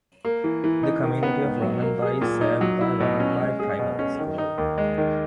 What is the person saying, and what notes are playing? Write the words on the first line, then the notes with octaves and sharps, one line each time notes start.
The Community of Romanby is served by Romanby Primary School.
A#3
E3
E3
D#4
D#3
B3
G#2
F#3
A#3
G#4
A#2
D#4
F#3
E4
B2
C#4
G#3
G#4
B2
C#4
D#3
D#4
D#2
G#3
D#3